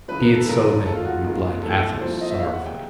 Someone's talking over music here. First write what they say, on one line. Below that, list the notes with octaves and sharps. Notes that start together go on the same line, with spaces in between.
"Be it so then," replied Athos, sorrowfully.
C#2 C#3 E3 B4
A#4
A4
C#2 C#3 E3 A#4
D#2 D#3 G#3 A4
F4
F#4
D#2 D#3 G#3
C2 A#2 F3 A4
C2 A#2 F3 C5
D#5
E5
D#2 D#3 G#3 F5
F#5
G5